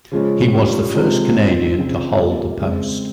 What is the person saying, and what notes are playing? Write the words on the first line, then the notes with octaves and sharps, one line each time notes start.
He was the first Canadian to hold the post.
C#3 F3 G#3 C#4
G3 C#4 F4
C3 F3 G#3
A#2 F3 C4 D#4
C#3 F3 C4
G3 A#3 C#4 F4
C#3 G#3 C4